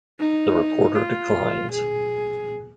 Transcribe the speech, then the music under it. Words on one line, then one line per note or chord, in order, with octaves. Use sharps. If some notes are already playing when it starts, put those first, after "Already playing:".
The reporter declines.
D#4
F4
G#4